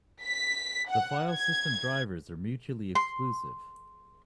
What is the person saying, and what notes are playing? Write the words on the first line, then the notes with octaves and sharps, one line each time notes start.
The filesystem drivers are mutually exclusive.
B6
F#5
G#6
C6